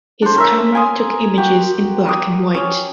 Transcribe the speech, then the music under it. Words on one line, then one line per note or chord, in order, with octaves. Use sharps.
His camera took images in black-and-white.
D4 C5
C#4 A#4 E5
G#5 C6 D#6
F#4 G4
D6 D#6
C#4 C#5